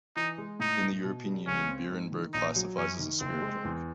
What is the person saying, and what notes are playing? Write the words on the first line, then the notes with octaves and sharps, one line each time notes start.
In the European Union, Beerenburg classifies as a spirit drink.
E3 D#4
G#3
A2 D#4
A2
B2
G3
C#2 C#4
C4
G#2
D#3
A#1 D#4
F#3
F#2 C#4
D#3
F#1 C4
G#3
E2